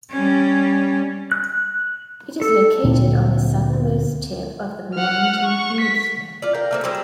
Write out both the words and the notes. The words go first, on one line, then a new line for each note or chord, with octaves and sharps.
It is located on the southernmost tip of the Mornington Peninsula.
G3 C#4
F#6
A4
D2 A#2 C4
F#5 F6
C#6
B6
F4 D5
A#4 F5 G5
A3 A#3 C4
F#3 G3 G#4 C5